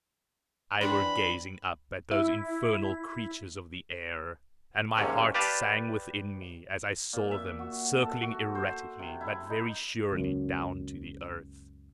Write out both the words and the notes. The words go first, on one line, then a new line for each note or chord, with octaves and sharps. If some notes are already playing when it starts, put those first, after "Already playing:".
I were gazing up at those infernal creatures of the air; and my heart sang within me as I saw them, circling erratically but very surely down to the earth.
E3 C4 D4 B5
E4
D#2 G#2 C3 C#4
G4 B4 D5 F5 A5
A#2
E5
F#4
A4
F#4
C5
C3
E4
D#4
C#2 F#2